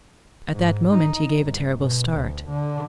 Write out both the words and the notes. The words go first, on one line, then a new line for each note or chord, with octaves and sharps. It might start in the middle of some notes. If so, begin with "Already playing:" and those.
At that moment, he gave a terrible start.
G#2
D#4
G1
B2
D2
D3